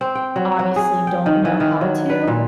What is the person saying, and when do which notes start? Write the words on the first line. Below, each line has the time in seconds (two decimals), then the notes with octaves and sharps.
obviously don't know how to,
0.01 C4
0.15 G5
0.36 F#3
0.59 F#3
0.76 G#4
1.07 G5
1.26 D#3
1.45 E3
1.60 D#3
1.81 F#3
2.10 B4
2.28 A#2